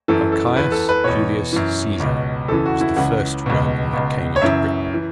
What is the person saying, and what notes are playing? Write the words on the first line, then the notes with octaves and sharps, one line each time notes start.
How Caius Julius Caesar was the first Roman that came into Britain.
F#2 E3 A4
A4
E2 E3 B4
A4
B4
E2 B2 C#5
F#2 E3
C#2 B2
E2 C#3 E3 A4
F#4
E4
C#2 C#3 E3 F#5
C#2 B2
C#2 B2
C#5
F#2 C#3 E3 E5
E3